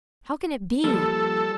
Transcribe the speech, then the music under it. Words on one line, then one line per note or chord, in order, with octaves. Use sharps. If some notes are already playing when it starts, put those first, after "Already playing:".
How can it be?
F3 G3 A#3 A4